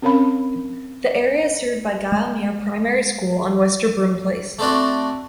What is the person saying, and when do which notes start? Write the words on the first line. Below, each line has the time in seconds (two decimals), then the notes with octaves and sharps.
The area is served by Gylemuir Primary School, on Wester Broom Place.
0.02 C4 C#4 A#4 C#5 F5 B5
2.12 G#3
4.59 A3 C4 D4 F#4